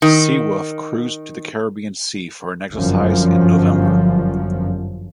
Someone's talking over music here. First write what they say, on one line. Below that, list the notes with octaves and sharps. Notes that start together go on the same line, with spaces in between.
"Seawolf" cruised to the Caribbean Sea for an exercise in November.
D#3
G1 F#2 F3